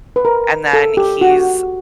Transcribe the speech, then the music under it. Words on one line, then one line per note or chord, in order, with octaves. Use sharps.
and then he's
B4
A#4
A4
G4
F#4